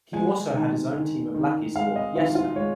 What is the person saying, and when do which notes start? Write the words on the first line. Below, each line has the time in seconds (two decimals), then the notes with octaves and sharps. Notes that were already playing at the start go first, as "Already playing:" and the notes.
He also had his own team of lackeys or "yes men".
0.13 G#3 G#5
0.54 D#3
0.94 D#3
1.35 D#3
1.76 G#3 F5
1.96 D#5
2.16 D#3 F4
2.35 F4
2.56 G#3 C#5